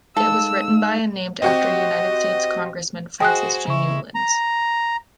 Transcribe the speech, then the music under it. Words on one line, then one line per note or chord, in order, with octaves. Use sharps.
It was written by and named after United States Congressman Francis G. Newlands.
G#3 D#4 A4 F5 E6
C4 F#4 G4 D#5
G#3 F#4 C5 G5 D#6 F#6
C#3 E4 C#6
A#5